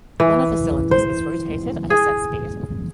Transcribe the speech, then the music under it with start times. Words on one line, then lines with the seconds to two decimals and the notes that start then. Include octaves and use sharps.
One of the cylinders is rotated at a set speed.
0.20 E3
0.91 C5
1.90 G#4